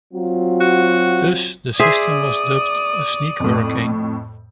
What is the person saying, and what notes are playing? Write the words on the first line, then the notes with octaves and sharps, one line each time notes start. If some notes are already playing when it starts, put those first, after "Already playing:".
Thus, the system was dubbed "a sneak hurricane".
F#3 C4 F4
F#4
G#4 C5 D5 E5 D#6
F2 A2